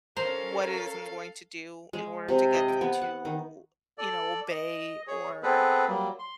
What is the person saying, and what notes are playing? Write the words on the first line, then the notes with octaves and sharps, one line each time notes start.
what it is I'm going to do in order to get them to, you know, obey or,
C#4 A4 A#4 C5 F5 A#5
G#3
C3
D#5
G5
B3
F#5
D#3
A4 D5
D#5
G#4 C#5
B3 C4 G#4 A4 B4
F#3 G3 A#3
C6